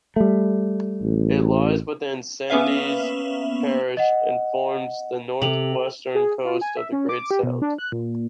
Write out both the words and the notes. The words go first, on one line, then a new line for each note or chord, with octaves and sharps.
It lies within Sandys Parish, and forms the northwestern coast of the Great Sound.
G3 A3
A1
A#3 B3 C#4 B4 E5 F5
D#5 F#5
C3 A4 F7 F#7
G#4
F4
G#5
E5
C#4
D6
G4
B2
D4
F#6
A#2